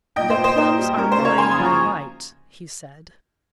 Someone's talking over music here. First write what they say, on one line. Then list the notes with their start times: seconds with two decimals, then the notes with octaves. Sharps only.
"The plums are mine by right," he said.
0.16 A#2 D#5 G5
0.30 C5 D#5
0.36 A#2
0.44 C5 D#5
0.57 A#3 C5
0.77 G3
0.97 C#4 A#4
1.12 C5
1.18 C#3
1.24 A#4 C#5
1.38 A#3 G#5 C6
1.51 C6 D#6
1.59 F3
1.65 A#5 C#6